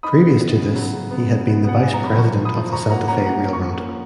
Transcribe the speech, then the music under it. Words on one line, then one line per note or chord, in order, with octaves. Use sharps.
Previous to this, he had been vice president of the Santa Fe Railroad.
D#4 B5 D#6
B3
B3
C#3
F#3
C#3
B3
C#3
B3
B3 F#5
B3 G#5
A#5
F#3
B5
F3 A#5 C#6
F3
B5 D#6
F3
F3 A#5 C#6
A#3 F#5 A#5
C#4 F#5 A#5
A#3 F#5 A#5
C#4
A#5 C#6
F3
A#3